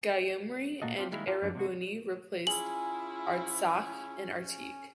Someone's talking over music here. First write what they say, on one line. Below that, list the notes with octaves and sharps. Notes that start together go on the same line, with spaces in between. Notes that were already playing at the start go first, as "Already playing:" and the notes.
Gyumri and Erebuni replaced Artsakh and Artik.
A#2 E3 A#3 F#4 A4 D#5
A3 C4 D4 F4 G4
D#3 G3 G#3 A#3 E4
D4 F4 G4 A#4
F#2 E3 D4
C3 G#3 F#4
C#4 E4 F4 G#4 F#7